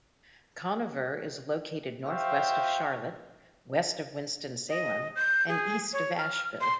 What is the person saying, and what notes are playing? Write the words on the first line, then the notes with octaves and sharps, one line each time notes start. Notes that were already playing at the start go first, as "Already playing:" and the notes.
Conover is located northwest of Charlotte, west of Winston-Salem, and east of Asheville.
F#4 C5 E5 F5 G5
D#5
G6
G#4
C#5
F6
C6